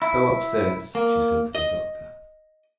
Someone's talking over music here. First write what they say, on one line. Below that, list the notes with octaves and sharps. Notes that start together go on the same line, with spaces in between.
"Go upstairs," she said to the doctor.
E4
A#3
D#5